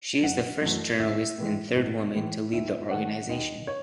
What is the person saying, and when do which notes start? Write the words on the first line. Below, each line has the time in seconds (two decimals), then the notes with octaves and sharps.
She is the first journalist and third woman to lead the organisation.
0.23 F#1 F#5
0.62 F#2 E3 A3
0.99 A1 E5
1.38 A2 E3 G#3
1.76 A1
2.15 A2 E3 G#3
2.53 D#2 E5
2.91 D#3 A3 F#5
3.29 D#2 D#5
3.67 C#5